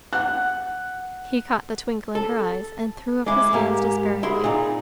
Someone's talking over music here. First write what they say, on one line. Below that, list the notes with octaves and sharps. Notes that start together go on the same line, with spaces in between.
He caught the twinkle in her eyes and threw up his Hands despairingly.
F#5 F#6
A4
G#3 E4 D6
G#2 A#3 G4
E4 F#4 G#4 C6
A#2 D#4